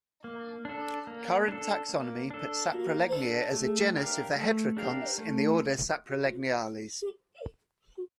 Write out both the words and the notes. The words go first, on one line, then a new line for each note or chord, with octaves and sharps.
Current taxonomy puts Saprolegnia as a genus of the heterokonts in the order Saprolegniales.
A#3
D4 A4
A#3
D4 A4
A#3
D4 A4
A#3
D4 A4
A3
D4 G4 A#4 F5
A3
D4 G4 A#4 F5
A3